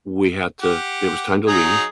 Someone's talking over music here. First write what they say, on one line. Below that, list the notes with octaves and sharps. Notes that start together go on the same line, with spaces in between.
we had to it was time to leave,
G4 F#5
F#3 D#4 G#4 A#5